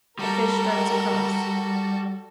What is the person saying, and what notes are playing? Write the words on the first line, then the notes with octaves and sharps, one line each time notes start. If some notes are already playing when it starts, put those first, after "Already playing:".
A fish darts across.
G3 F#4 A4 A#4